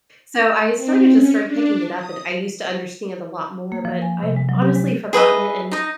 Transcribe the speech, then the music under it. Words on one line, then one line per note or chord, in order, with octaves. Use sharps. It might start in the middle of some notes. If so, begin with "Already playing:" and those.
So, I sorta just started picking it up, and I used to understand a lot more, but I'd honestly forgotten it, and
C4
C#4
D4
D#6
A#3
F3
G#5
C3
G#3
F#3
G4
G#3
G#4 B4 D#5 E5
D#4 D#5